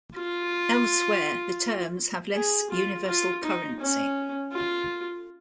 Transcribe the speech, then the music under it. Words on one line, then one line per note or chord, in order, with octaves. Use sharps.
Elsewhere, the terms have less universal currency.
F4
G#4
F4
F4
D#4
C#4
F4